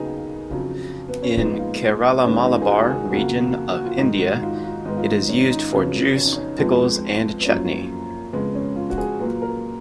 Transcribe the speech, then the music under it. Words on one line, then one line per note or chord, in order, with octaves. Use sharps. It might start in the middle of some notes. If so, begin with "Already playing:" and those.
In Kerala Malabar region of India, it is used for juice, pickles and chutney.
Already playing: D#2 C#3 F#3 B3 D#4 G#4
F2 C#3 F#3
B3
C#4
A#2 F3 G#3 B3 D#4
F4
D#2 D#3 G#3 B3 C#4
D#4
F4
G#4
F#4
G#4
F2 C#3 F#3 A#3 F#4
F#4
F4
G#2 D#3 G#3 D#4
F#4
D#4
F4
D#4
F4
G#2 D#3 G#3 B3 D#4
F4
D#4
C#4
D#4
F2 C#3 F#3 B3 C#4
C#4
D#4
C#4
F2 F3 G#3 B3
B3
F#2 F3 A#3 C#4
F2 C#3 G#3 B3
C#4
F4
F#4
G#4
A#2 F#3 A#3 B4
A#4